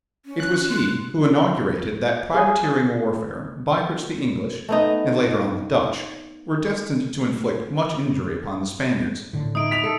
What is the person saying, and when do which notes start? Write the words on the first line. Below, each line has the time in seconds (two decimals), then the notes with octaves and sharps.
It was he who inaugurated that privateering warfare by which the English, and later on the Dutch, were destined to inflict much injury upon the Spaniards.
0.26 C#4
0.40 F#6
0.69 C6
2.35 G#4
4.69 A3 B3 D#4
9.33 A2 D3
9.55 D#4 E4 D#6 D7
9.71 B6 F7
9.84 A4